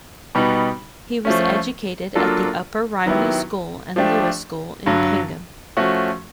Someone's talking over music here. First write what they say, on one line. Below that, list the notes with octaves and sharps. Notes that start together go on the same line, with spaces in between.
He as educated at the Upper Rhymney School and Lewis School in Pengam.
B2 G3 B3 D#4
F3 A3 C#4
F#3 A#3 D4 F4 A4
D#3 F#3 B3 E4 G4
F3 A3 D4 G4
G2 D3 F#3
F3 A3 C#4 F#4